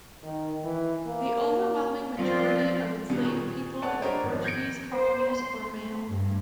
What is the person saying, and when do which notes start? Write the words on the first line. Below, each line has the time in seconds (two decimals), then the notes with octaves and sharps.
The overwhelming majority of enslaved people in the Portuguese colonies were male.
0.24 D#3
0.65 E3
1.07 A#3
2.16 F3 C4 F4 D5
3.10 B2 D#3 G3 B3
3.24 A#2 G#4 C#6
3.82 B4 C#5 D5 F#5 A5
4.02 D4 G4 A#4 C5 C#5 D#5
4.23 G#1 F2
4.44 G6 G#6 A#6 C#7 D7
4.94 C5
5.31 C6
5.68 A3
6.10 G2